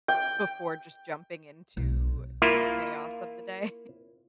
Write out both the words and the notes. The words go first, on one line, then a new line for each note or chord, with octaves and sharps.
before just jumping into the chaos of the day.
G5
B1
A#3 E4 F4